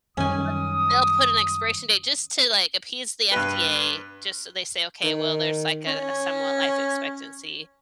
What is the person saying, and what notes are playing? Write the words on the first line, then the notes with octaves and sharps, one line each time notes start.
but they'll put an expiration date just to, like, appease the FDA just so they say, "Okay, well, there's, like a, somewhat life expectancy."
F#2 D#3 G3 C#4 G#5 D#6
G2 B4
D#3
C#4